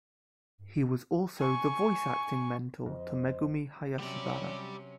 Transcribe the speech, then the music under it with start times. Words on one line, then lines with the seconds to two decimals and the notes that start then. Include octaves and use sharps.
He was also the voice acting mentor to Megumi Hayashibara.
1.38 G#5 C#6
2.86 F2 C5 D#5
3.99 C3 F#3 G3 C#4 D5